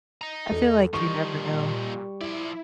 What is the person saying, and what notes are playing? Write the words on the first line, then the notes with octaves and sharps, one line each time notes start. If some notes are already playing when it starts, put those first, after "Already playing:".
I feel like you never know.
D#5 A#5
E2 A4
D#3 F3 G3 D#4 C#6
A#2
F3 E4 D5